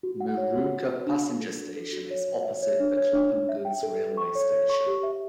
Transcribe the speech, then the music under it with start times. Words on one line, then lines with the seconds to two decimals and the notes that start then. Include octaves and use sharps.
Moorooka passenger station is opposite the Clapham goods railway station.
0.03 F#4
0.21 F#5
0.37 C#5
0.54 F#4
0.72 F#4
0.89 F#4
1.06 D4
1.24 D4
1.41 A4
1.58 F#4
1.76 A4
1.93 F#4
2.11 C#5
2.28 C#5
2.44 E5
2.62 C#5
2.80 D4
2.97 C#5
3.13 D4
3.30 D4
3.49 E5
3.65 G5
3.83 A4
4.00 A4
4.17 C#6
4.35 C#5
4.52 C#5
4.69 C#6
4.87 G4
5.03 E5